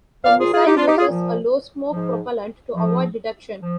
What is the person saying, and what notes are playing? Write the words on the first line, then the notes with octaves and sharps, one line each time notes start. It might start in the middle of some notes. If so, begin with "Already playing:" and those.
The missile uses a low-smoke propellant to avoid detection.
A#2 F3 D5 F5
F4 G#4
F4 G#4
D#4 G4
D4 F4
D#4 G4
F4 G#4
A#2 F3
G#2 F3
G#2 F3
F3